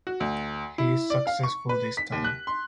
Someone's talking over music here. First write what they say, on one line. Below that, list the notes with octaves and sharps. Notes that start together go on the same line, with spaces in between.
He is successful this time.
F#4
D2
E4
D5
F5
C#6
B4
B6
D#2
F#6
C6